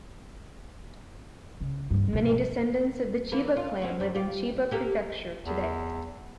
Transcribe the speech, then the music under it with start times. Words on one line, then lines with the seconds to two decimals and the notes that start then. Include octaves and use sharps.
Many descendants of the Chiba clan live in Chiba Prefecture today.
1.61 C#3
1.90 G2 E3
2.13 B2 F3
3.31 E3 A#3 B3
3.57 F4
3.82 C4 C#4 F#4
4.00 F#2 G3
4.15 F4 G4
4.71 A#3 G4 A4
5.45 E2